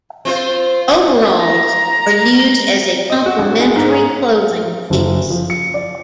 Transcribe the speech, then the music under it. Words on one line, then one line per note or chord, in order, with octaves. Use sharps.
Overalls are used as a complementary clothing piece.
C4 F4 C5
A#5
D#5
F#4
A#1
G#3
G#2
G#4
F#1
F3
C#7
D5